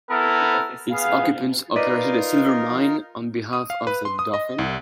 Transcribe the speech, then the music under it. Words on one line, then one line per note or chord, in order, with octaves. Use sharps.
Its occupants operated a silver mine on behalf of the Dauphin.
B3 E4 A4 A#4
B3 G#4 F5
D#4 F4 A#4 B4 D5 D#5
D#6
F5
B4
C6
D#6
D#5
C2